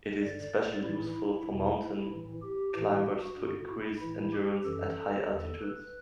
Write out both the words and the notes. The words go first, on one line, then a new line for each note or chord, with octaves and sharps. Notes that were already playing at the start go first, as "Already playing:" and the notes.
It is especially useful for mountain climbers to increase endurance at high altitudes.
G2 D3 D5
A2 E3 E4
E2 B2
E4
A2 E3
G4
A2 E3 G4
F#4
G2 D3
E4
A2 E3 E4
G4
F#2 E3 A4
E2
D3
B4